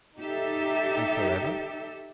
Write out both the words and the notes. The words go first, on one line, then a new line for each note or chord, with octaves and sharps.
And forever?
D#4 G4 A4 E5